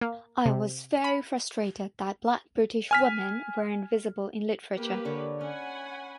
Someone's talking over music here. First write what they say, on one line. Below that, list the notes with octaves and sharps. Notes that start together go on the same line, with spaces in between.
I was very frustrated that black British women weren’t visible in literature.
A#3
C3
B5
G#5 F6 B6
A#3 G4 B4
D3 C#5 D6
C#4 F#5 G#5 B5